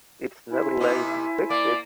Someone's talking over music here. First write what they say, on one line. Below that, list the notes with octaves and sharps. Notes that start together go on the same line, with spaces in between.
It’s never late to fix it.
E4 C5 E5 G#5
C3 A#3 D#4 E4
A#3 D5